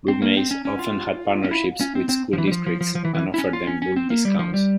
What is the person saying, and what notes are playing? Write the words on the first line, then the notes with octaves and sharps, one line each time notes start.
Brook Mays often had partnerships with school districts, and offered them bulk discounts.
C4
A#3
C4
C#4
C#4
F4
C#4
E4
C#4
C4
C4
F3
E3
G3
F3
F3
F3
F3
E3
E3
E4
C#4
F4
C#4
C#4
C4
A#3
G3
F3
G3